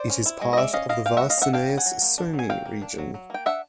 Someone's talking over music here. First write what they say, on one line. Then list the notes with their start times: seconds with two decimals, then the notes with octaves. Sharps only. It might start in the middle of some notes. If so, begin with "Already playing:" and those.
It is part of the Varsinais-Suomi region.
Already playing: C5 D5
0.10 C#4
0.26 E4
0.41 G#3
0.53 D#5
0.57 G#3 D5 E5
0.73 C#4 D#5 F5
0.89 E4 D#5 F5
1.06 G#3 F5 G5
1.17 G#3 E5 F#5
1.30 D#5 F5
1.38 C#4 E5 F#5
1.53 D4 F5 G5
1.69 F#3
1.77 F#5 G#5
1.86 F#3
2.02 A#3
2.18 D4
2.33 F#3
2.39 G#5
2.49 F#3 F5 G5
2.66 A#3
2.82 D4
2.98 F#3
3.14 F#3
3.30 A#3 G5
3.46 D4 E5 F#5